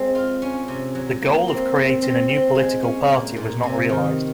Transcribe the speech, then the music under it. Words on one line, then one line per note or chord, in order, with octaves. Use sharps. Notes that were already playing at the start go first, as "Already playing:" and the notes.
The goal of creating a new political party was not realized.
Already playing: G#3 C4
F4
C#4
C3
F#3
A#3
C4
C4
C4
C4
G#3
C#4
A#2
A#2
C3
D#3